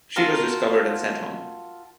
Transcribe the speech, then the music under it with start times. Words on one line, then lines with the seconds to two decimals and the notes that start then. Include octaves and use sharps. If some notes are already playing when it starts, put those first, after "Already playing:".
She was discovered and sent home.
0.16 F4 F#4 A4 A#4